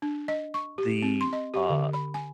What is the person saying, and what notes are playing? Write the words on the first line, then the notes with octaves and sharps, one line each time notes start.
the, uh,
D4
D#5
C#6
G4
C4
C6
D#5
G4
D3
B5
G#5